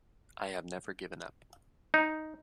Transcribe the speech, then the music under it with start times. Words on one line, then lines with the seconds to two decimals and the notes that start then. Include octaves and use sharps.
I have never given up.
1.94 D#4